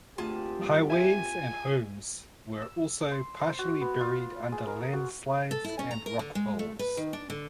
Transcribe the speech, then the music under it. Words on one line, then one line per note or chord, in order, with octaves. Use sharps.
Highways and homes were also partially buried under landslides and rockfalls.
D2 A#3 C4 F4 G4 G#4 A5
G2
E5 G#5 D#7
E6
C6
C5
F#4
B3
F4
G#4
A#4
F#4
A4
E4
C#4
A#5
A#4
D3
G#3
A3
B4
D#3
D4
D3